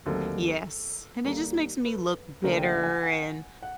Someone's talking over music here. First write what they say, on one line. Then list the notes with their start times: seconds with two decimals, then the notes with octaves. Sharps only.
Yes, and it just makes me look bitter and,
0.06 D#2 D3 F#3 A3 C4 A4
1.25 D#2 D#3 G3 A#3 D#4 A4
1.84 A4 B4
2.44 D#2 C#3 F3 A3 D4 A#4 C5
2.57 G5
2.63 E5 F#5
2.83 F#5 G#5
3.03 F#5 G#5
3.63 F#5